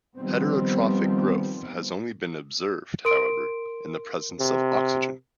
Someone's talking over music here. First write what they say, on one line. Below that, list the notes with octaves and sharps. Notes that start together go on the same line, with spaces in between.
Heterotrophic growth has only been observed, however, in the presence of oxygen.
D#3 F3 G3 B3 C4
A#4 C6 D7
C3